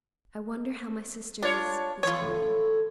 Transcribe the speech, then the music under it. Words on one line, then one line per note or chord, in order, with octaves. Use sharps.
'I wonder how my sister is this morning.'
D4 F4 C#5
A2 E3 F4 C#5